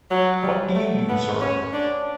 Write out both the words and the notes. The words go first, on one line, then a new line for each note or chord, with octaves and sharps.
What do you do, sir?
F#3
G3
A3
B3
C#4
D4